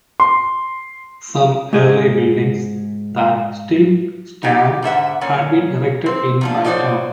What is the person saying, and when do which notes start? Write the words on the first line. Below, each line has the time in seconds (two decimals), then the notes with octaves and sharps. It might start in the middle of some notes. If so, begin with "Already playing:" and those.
Some early buildings that still stand had been erected in Bytown.
0.20 C6
1.73 G#2 G#4 D#5
4.43 D#4 G4
4.82 G#2 D3 E5 F#5
5.21 A#2 C#4
6.06 C4
6.41 C3 F3 D4
6.65 F3 F#3 C5 D5 D#5